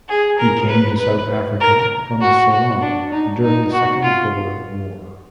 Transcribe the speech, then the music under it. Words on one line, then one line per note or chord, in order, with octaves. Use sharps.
He came to South Africa from Ceylon during the Second Boer War.
G#4
A#4
B4
B4
A#4
F#4
F#4
D4
D#4
D#4
F#4
F4